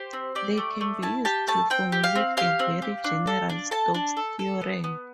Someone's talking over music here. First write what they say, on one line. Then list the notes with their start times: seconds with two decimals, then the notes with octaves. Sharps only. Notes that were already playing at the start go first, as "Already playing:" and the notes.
They can be used to formulate a very general Stokes' theorem.
Already playing: G4 C5
0.13 C4
0.35 G4 D5
0.57 A3
0.81 A3
1.02 E4 A5
1.25 G4 A5
1.47 A3 A5
1.70 C4 G5
1.92 G4
2.04 F5
2.15 C4
2.37 G4 F5
2.59 C4
2.82 G4
3.04 D4
3.27 A4
3.49 D4
3.71 A4 A5
3.94 D4
4.17 A4
4.39 A4
4.61 B3
4.84 B3